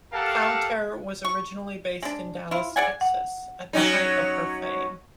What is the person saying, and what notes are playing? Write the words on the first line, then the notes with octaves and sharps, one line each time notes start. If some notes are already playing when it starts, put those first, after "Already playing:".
Powter was originally based in Dallas, Texas at the height of her fame.
G4 A4 A#4 F5 F#5 A5
C#6
G#3 D4
E4 F4
G#4 D5 F#5 G#5
F#5
F#3 C#4 D#4